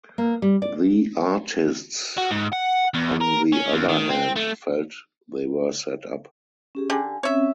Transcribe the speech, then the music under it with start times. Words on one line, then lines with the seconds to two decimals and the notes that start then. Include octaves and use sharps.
The artists on the other hand felt they were set up.
0.18 A#3
0.42 G3
0.62 D5
2.18 F#4
2.30 G#2
2.52 F#5
2.94 E2
3.21 A#4
3.52 C#4
3.72 D#2
3.89 D#3
4.10 C4
4.36 A3
6.75 C#4 G4 G#4
6.90 D3 G4 G#5
7.23 C4 C#4 C#5 E5